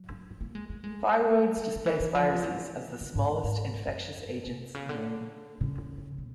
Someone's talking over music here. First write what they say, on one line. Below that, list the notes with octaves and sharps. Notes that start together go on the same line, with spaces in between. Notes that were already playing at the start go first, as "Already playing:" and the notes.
Viroids displace viruses as the smallest infectious agents known.
Already playing: F#3
A#3
G#3
A#3
G#3
G3
D3
E3
E3
F3
E3
D3
G#2
G#2
G#2
F#2
C3
C#3
D3
C#3
B2